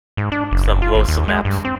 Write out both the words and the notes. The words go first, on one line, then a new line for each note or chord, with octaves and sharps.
some most of map f
G#2
D4
F#1
F#1
F4
G#1
D#2
G#3
G2
C4